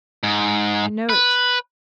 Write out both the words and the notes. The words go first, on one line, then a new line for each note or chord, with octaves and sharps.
I know it.
G#2
B4